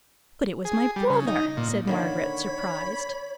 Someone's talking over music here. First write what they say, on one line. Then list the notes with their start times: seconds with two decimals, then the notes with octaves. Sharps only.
'But it was my brother!' said Margaret, surprised.
0.65 G#4
0.96 G3
1.10 C#3
1.27 D#4
1.57 A#2
1.87 D3 D#3 A#3 C#5 B5